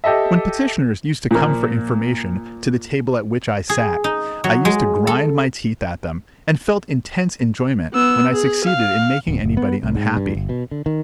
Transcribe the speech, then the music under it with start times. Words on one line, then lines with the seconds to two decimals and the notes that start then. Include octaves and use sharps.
When petitioners used to come for information to the table at which I sat, I used to grind my teeth at them, and felt intense enjoyment when I succeeded in making anybody unhappy.
0.04 G4 A4 D#5 E5
1.31 A#2 F3 A#3
3.69 G#4
4.04 D#4
4.44 F#3
4.65 G#3
5.07 A4
7.93 B3 E6
8.34 G#4
8.65 F5
9.28 D1
9.44 F#1
9.57 B3
9.83 C2
9.95 G#2
10.17 G2
10.35 G1
10.49 B2
10.71 D3
10.86 D#3